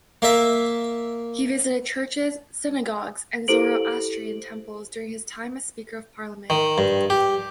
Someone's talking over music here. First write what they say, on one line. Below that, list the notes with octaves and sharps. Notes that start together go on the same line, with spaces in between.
He visited churches, synagogues and Zoroastrian temples during his time as speaker of Parliament.
A#3 E5
E4 G4 A4 C5 D7 F#7
D#3
G2
G4